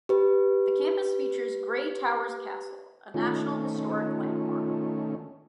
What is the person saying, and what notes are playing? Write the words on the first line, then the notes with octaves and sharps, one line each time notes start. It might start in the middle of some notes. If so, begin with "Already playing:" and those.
The campus features Grey Towers Castle, a National Historic Landmark.
G4 B4
D#3 A3 C#4 F4